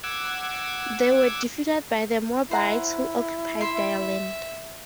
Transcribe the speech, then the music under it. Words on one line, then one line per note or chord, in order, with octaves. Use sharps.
They were defeated by the Moabites, who occupied their land.
F#5 D6 E6 G#6
E4 C5 F#5 A#5
E5 C6